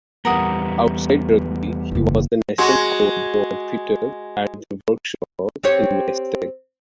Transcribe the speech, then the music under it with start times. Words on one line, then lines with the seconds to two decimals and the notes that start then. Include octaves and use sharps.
Outside rugby he was a National Coal Board fitter at their workshop in Maesteg.
0.25 E2 G3 B3 A#4 F#5 D#6
1.91 F#1 E4
2.58 G#3 F#4
5.63 C4 G4 C#5